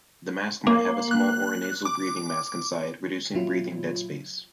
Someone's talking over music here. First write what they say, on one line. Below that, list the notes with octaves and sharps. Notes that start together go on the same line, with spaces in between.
The mask might have a small orinasal breathing mask inside, reducing breathing deadspace.
A#3
F#6
D6
A#2 F#3 E4 F4